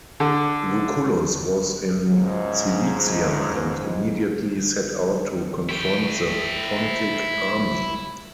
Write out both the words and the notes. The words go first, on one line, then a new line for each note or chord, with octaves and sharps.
Lucullus was in Cilicia and immediately set out to confront the Pontic army.
D3
C#2 G#2
E4 G5